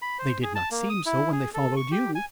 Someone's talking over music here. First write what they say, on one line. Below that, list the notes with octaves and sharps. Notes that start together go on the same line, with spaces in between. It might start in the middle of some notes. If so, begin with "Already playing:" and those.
"They did not seem so when they followed you."
B5
C5
G#4
A5
A#3
D#6
E4
G#4
A4
C#6
G4
G#5